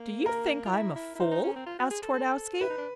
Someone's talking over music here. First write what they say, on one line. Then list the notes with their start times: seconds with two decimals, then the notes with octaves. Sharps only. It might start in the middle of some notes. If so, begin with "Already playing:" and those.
"Do you think I am a fool?" asked Twardowski.
Already playing: A#3
0.26 A#4
0.66 F4
0.72 E4
0.96 E4
1.15 E4
1.20 D#4 C5
1.32 D#4
1.43 C#4
1.56 C4
1.67 F4
1.79 F#4
1.91 G#4
2.03 A4
2.14 A4
2.61 E4 B4
2.70 D#4
2.78 D4